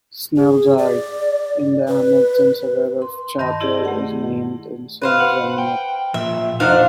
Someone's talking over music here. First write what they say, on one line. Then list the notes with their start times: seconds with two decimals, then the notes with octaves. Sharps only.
Snell Drive, in the Hamilton suburb of Chartwell, is named in Snell's honour.
0.37 G#4
0.78 D5
1.88 B4
3.02 C6
3.39 G2 D#3 D#5 A5 C6 A#6
3.61 E4 G4 G#4 D5 D#5
3.85 A3 F#5
5.02 B4 C5 F5
5.20 F#5
5.58 G5
6.14 A#2 F3 E5
6.60 F2 F3 D4 D#4 F5 F#5